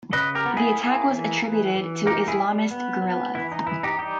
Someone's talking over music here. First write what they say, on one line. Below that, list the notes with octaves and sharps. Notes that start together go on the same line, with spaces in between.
The attack was attributed to Islamist guerrillas.
C#3 B4 D#5
G4 A#4
B3
E4 G#4
A#3
E3
E3
E3
A#3 D#4 G4
E4 G#4
G3
B3
B3
E3 E4
D#4
E3 E4
D#4 G4
G3 D#4 G4